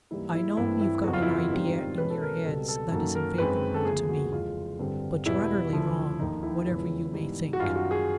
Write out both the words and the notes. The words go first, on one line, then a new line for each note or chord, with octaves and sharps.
I know you've got an idea in your heads that isn't favourable to me, but you're utterly wrong, whatever you may think.
G#2 E3 G3 A#3 E4
E4
G2 E3 A3 C4 E4
E4
F2 C#3 F#3 B3 F#4
F4
E4
F4
G#2 D#3 G3 C4
B2 G#3 C#4 B4
A4
A#4
C#2 B2 G3 C4 A4
A4
F#2 D#3 F#3 A#3 A4
A#4
F#2 D#3 G#3 C4 B4
A4
D2 C#3 F3 A#3 G#4
F#4
F2 C#3 E3 G#3 F4
G2 D3 G3 C4
E2 B2 G3 B3 E4
D2 D3 F3
D#2 D3 F3 A#3 D#4
E4
E2 C#3 F3 G#3 C#4 E4
G#2 E3 G3 B3
F#4
F#2 D#3 G3 F4
F#4
G#4